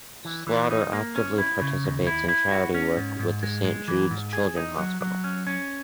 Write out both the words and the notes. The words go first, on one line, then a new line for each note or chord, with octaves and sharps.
Slaughter actively participates in charity work with Saint Jude's Children's Hospital.
E3
E3
D#4
A#3
C#4
E4
C#3
D#2
E4
E4
F#4
C#4
G#2
G#2
G#3
G#3
E3
G#2
G#4
D#4
F#3
F#3
C#4
C#4